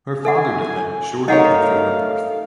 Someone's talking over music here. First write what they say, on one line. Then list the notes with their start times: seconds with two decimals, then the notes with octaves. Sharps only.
Her father died shortly after her birth.
0.25 A4 E5 F#5 G#5
1.28 A3 D#4 A#4 C#5 D#5 F5 F#5